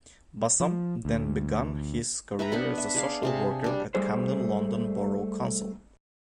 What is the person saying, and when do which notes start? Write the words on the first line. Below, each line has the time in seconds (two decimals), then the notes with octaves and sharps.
Bassam then began his career as a social worker at Camden London Borough Council.
0.60 F3
1.05 D2
2.39 B4 E5 G5 A#5
2.52 B3 D4 B4 F#5
2.78 E5
2.95 G#4 D5 F5
3.23 C3 G#4 A5
3.64 G3 D4
3.95 G3 A3 G#4 C5